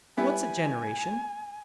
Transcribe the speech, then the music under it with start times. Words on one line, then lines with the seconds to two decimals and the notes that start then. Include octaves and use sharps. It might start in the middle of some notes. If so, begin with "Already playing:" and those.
"What's a generation?"
0.17 G3 B3 E4 G#5